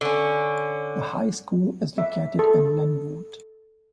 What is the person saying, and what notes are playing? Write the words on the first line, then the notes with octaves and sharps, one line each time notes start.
The high school is located in Linwood.
D3 C#4
E5
A4